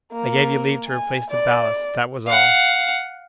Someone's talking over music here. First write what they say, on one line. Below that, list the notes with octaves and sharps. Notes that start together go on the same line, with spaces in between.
"I gave you leave to replace the ballast; that was all!"
A#3
G#5
D5
F5 F#5